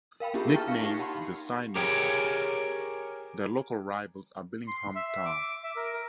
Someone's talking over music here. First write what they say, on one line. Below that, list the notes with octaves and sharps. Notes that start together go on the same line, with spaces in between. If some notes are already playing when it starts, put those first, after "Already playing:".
Nicknamed "the Synners", their local rivals are Billingham Town.
A#4 F5 G5 B5
A#3 D4 E4 F4 G4 G#4
G5 A5 A#5 C#6 F6 A6
F5 A#6 C#7
D#4 G4 F5
F#5 A5 B5 C6
G4 G#4 A#4 C#5 G5
C6
E5
D6
E5
A#4
A#4